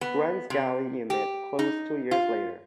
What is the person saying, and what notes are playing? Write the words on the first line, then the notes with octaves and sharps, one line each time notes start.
The Grimes Galley unit closed two years later.
B3
C3
G4
D#4
F4